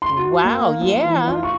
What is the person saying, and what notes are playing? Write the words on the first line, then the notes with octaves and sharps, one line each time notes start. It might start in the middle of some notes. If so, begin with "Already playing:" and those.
Wow, yeah!
C6
F#4
A#3
F3
E3
F4
C#6